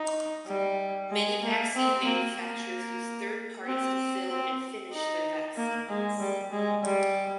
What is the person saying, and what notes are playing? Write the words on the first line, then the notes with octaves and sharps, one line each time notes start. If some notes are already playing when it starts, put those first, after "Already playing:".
Many vaccine manufacturers use third parties to fill and finish their vaccines.
Already playing: D#4
G3
G#3
A#3
C4
A#3
A#3
C4
C4
D#4
A#3
G#3
G3
G#3
G3